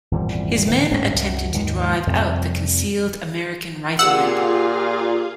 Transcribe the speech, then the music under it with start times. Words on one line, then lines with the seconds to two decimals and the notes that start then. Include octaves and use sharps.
His men attempted to drive out the concealed American riflemen.
0.11 G#1 E2 A#2 G3
0.67 D1 D#3 E3
0.90 D1 G#2 A3 C#4
1.13 C2 F#2
1.53 D#2 G#2 D#3 G#3
2.07 F2 C3 F3 G3
3.99 A#2 F4 G4 G#4 F5 F#5 E6